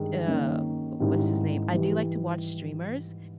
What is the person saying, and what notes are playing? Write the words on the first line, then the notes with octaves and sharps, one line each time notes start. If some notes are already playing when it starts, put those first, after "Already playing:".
uh, what's his name? I do like to watch streamers.
Already playing: G2 D#3 G#3
D#3 A#3 C#4
G#2 D#3 G3 C#4 E4
E3 G3